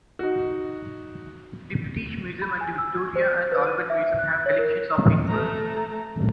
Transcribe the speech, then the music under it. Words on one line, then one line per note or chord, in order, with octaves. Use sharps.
The British Museum and the Victoria and Albert Museum have collections of his work.
D#4 F#4
B5
G#5
E6
G#6
C5
B4
D#7
E5
F#6
C#5
A#4
A3 A#5